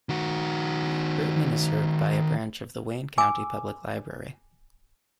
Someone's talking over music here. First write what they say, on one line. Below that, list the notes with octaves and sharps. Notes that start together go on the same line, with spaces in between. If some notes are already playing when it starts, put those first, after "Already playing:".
Rittman is served by a branch of the Wayne County Public Library.
D#3 F#4
G#5 D6 E6